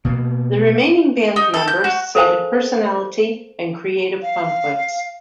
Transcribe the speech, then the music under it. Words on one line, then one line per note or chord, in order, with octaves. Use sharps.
The remaining band members cited personality and creative conflicts.
B2 A#3
D#4
A4
G6
F#4
A4 A#4 C5 F5 G#5 A5
F5